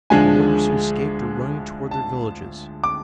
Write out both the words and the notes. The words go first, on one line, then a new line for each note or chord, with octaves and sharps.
The warriors who escaped are running toward their villages.
D2 D3 F3 G#3 D4 G#5
A5
D6